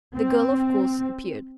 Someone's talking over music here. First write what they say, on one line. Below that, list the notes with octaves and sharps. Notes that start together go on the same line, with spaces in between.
The girl of course appeared.
C4